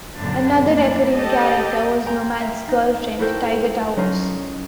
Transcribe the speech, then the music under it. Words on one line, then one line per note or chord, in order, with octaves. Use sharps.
Another recurring character was Nomad's girlfriend, Tiger Towers.
F#2 A#2 D3 D4
A3 A#3 D4 E4
G4 A4 D#5
G5 G#5 A#5 C6
E5 F5
D#4
E4 F#4 A4 A#4 C5 G5
F#3 C#4 D#4 F4